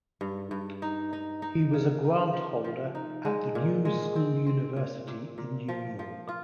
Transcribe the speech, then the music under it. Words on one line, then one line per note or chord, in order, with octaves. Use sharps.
He was a grant holder at the New School University in New York.
G2
G2
D#4
D#4
D#4
C#3
D#4
F3
F3
D#4
G#3
A#2
G#3
C4
C4
A#2
A#2
A#2
F3
F3
F4